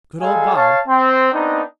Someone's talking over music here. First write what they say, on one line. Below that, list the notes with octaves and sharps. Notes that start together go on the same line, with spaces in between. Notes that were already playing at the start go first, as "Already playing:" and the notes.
Good old Bob!
G3 G#3 G#4 A4 F5 G#5
C#5 F5 A5
C4
B3 C4 D4 D#4